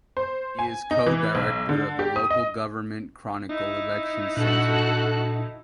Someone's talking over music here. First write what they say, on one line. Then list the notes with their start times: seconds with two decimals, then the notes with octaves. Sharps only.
He is Co-Director of the Local Government Chronicle Elections Centre.
0.17 C5
0.59 G#5
0.91 D#4
1.06 E3
1.35 B1
1.69 D3
1.99 G4
2.16 D#6
2.30 D#5
3.49 D#4 E4
4.37 A#2 D4 F#4 A4 F#6